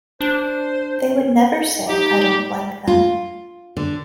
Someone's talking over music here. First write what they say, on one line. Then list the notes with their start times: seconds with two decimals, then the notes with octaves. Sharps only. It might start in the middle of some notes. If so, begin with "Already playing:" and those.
They would never say, 'I don't like them'.
0.21 D4 C5
1.88 D#4 G4
2.87 F4
3.77 D3